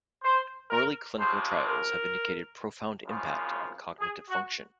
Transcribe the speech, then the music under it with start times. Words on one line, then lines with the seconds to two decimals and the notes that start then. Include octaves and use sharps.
Early clinical trials have indicated profound impact on cognitive function.
0.23 C5
0.70 A#4
1.17 C#2 C3 F3 C5
1.64 A#4
3.05 G#1 F#2 C#3 F3
3.99 G#4
4.29 F#4